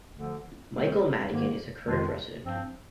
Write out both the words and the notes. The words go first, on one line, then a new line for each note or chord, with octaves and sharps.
Michael Madigan is a Current resident.
D2 D3 F3
D2 C3 D#3 G3 C4
G#2 D#3 A#3
F2 D#3 G#3 D4 F4
G2 F3 C4